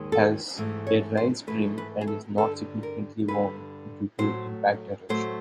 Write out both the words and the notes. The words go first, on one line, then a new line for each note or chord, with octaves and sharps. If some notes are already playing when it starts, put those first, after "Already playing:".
It has a raised rim and is not significantly worn due to impact erosion.
Already playing: D#2 D#3 G#3
A4
G#2 E3 A3
C#5
C5
G#2 E3 A3 B4
B4
G#4
A4
G2 D3 G3 A4
A#4
G2 D3 G3 B4
A2 F#3 A3 C5
A2 F#3 A3 C5